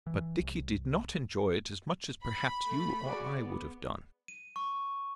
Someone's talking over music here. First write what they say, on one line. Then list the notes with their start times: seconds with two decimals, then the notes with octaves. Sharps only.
But Dickie did not enjoy it as much as perhaps you or I would have done.
0.07 E3
0.40 C2
2.22 B5
2.66 A3
3.03 F#4 G#4 D5
3.39 B3
4.28 D#7
4.56 C#6